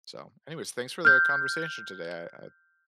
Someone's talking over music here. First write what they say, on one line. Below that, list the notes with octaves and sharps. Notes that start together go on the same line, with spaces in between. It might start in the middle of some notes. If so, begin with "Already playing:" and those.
So, anyways, thanks for the conversation today. I I
F6 G6